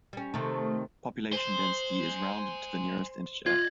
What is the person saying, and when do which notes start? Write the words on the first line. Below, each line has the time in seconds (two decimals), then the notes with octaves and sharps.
Population density is rounded to the nearest integer.
0.13 G3 C#4
0.34 C3 D#3 A3
1.33 C5 G#5 C6
3.46 F4 D5 D#5 G#6